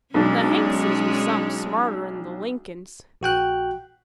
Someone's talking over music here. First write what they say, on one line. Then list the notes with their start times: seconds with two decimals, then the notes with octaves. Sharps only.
The Hankses was some smarter'n the Lincolns.
0.14 B1 G#3 C#4 D4
3.21 A#1 F#4 G5 F#6